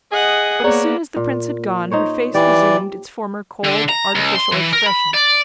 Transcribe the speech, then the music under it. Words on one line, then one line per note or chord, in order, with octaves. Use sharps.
But as soon as the prince had gone her face resumed its former cold, artificial expression.
G#4 D#5 F#5
A#3 B3 G#4 C#5 D5 A#5
A#2
D#4 C5 C#5
E3 G4 D5
D3
A#5
C#2
C6
E3
A#4
B5
D5